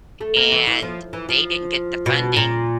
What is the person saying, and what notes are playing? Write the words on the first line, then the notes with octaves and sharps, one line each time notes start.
and they didn't get the funding,
A3
A#3
E3
E3
F3
E3
F3
B2
A#2